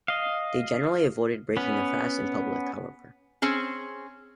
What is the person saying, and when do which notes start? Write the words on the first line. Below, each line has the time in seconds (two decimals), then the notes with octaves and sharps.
They generally avoided breaking the fast in public, however.
0.08 D#5 F5
1.57 B3 C#4 B4
3.42 C4 C#4 G#4